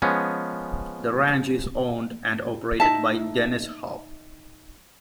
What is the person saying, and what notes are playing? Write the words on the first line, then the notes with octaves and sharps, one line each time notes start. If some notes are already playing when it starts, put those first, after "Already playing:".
The ranch is owned and operated by Dennis Hof.
F3 G#3 B3 C#4
D#4 E5 A5